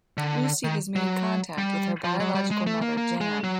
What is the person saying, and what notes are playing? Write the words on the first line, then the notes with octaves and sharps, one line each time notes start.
Lucy has made contact with her biological mother Jan.
D3
D#3
F#3
G3
F3
F#3
G3
G#3
A3
A#3
A#3
G#3
F#3